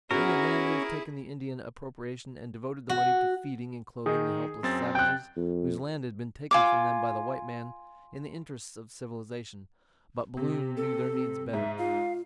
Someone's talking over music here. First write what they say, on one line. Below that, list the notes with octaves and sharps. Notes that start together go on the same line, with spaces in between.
Many a man would have taken the Indian appropriation and devoted the money to feeding and clothing the helpless savages, whose land had been taken from them by the white man in the interests of civilization; but Balloon knew their needs better.
B3 C#4 E4 F#4 G#4 A#4
F#4
D#3 D#4 G#4
F#2 C4 A6
G5 F#6
F2
F4 G#5 D6
C3 G4
C4 A4
G#2 E5
F4 F5